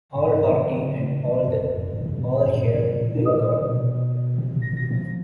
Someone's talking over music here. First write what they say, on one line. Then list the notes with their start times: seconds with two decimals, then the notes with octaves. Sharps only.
All hearty and all here, thank God!
0.15 G2
0.25 G#2
0.51 D3
0.76 C#3
1.28 C3
1.45 F#2
1.62 F2
1.80 F#2
1.93 F#2
2.01 B2
2.06 C3
2.19 A#2
2.46 F#2
2.55 G2
2.65 G#2
2.74 A2
2.83 A#2
3.01 A2
3.18 A2
3.35 A#2
3.61 B2
4.38 C3
4.56 A#2
4.73 B2
4.91 F3